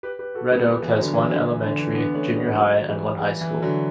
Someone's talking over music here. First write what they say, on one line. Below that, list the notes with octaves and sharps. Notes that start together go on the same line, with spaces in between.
Red Oak has one elementary, junior high, and one high school.
G4 B4
G4 B4
F#4 A4
G3 B3
G3 B3
E3 G3
D3 F#3
E3
D3 F#3
E3
D3
E3
B3 D4
A3 C#4
G3 B3
F#3 A3
E3 G3
E3 G3
E3
D3 F#3